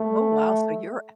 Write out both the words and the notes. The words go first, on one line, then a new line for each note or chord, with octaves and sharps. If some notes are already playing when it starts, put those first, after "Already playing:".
Oh, wow, so you're
Already playing: A3